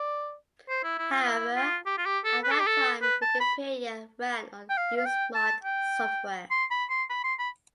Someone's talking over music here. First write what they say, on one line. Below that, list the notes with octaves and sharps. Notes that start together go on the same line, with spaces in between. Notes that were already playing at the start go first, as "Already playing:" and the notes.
However, at that time, Wikipedia ran on UseMod software.
Already playing: D5
C5
E4
E4
F4
F4
E4
F4
G4
F4
G4
A4
B4
A4
G4
A4
B4
A5
B5
G5
F5
F5
G5
A5
G5
C6
B5
C6
B5
C6
B5